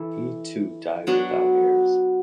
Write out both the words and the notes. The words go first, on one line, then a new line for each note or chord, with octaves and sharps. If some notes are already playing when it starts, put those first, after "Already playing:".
He too died without heirs.
Already playing: E3 E4 A4
F#3 B3 D4 F#4